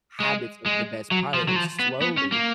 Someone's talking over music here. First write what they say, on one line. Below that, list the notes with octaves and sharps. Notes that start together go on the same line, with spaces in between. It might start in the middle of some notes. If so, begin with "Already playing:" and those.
habits of the best pilot, and slowly
G#3
G#3
F#3
F3
F#3
F3
B3
B3
C#4
A#3